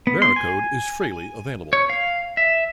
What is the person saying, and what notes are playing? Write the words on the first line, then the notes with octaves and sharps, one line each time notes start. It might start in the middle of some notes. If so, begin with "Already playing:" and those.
Varicode is freely available.
B3
C6
G#5
C#5
F5
E5